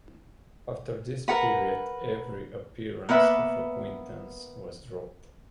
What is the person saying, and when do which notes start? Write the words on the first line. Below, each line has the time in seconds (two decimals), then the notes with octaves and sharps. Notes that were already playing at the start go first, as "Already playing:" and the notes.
After this period every appearance of acquaintance was dropped.
1.28 A#4 B4 F#5 B5
3.09 A#3 B3 B4 E5